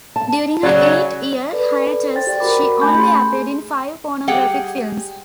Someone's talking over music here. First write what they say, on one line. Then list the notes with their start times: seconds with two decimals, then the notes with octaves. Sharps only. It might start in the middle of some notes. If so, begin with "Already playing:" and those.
During her eight-year hiatus she only appeared in five pornographic films.
0.16 A5
0.63 C#3 F#3 D5
1.52 A4 B4 D5
2.15 C5 G5 A6
2.27 G4 D5
2.40 F#4 A#4 B5 D6
2.82 A3 C#4 G#5 A5 B5 G6
2.97 G4 G#4 C6
4.27 G3 G4 G#4 F#5 G5